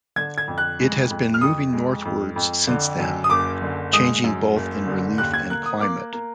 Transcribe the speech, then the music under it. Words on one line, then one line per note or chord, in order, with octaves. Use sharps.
It has been moving northwards since then, changing both in relief and climate.
D3 G#6
G#6
F2
F#6
G#3
F2
F6
F2 D#6
G#3
F2
F2
D3
F#2
D#6
F#1 D6
D3
G#3 D#6
F#2
F#1
D3
D#2 F#6
G#6
A#3 F#6
D#6
A#3 D6
A#3